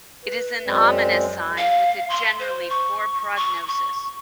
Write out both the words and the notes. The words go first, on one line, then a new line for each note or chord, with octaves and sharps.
It is an ominous sign, with a generally poor prognosis.
B4
F#2 G#3 C4 D5
F5
C6
C5
C#6
C#6
C#6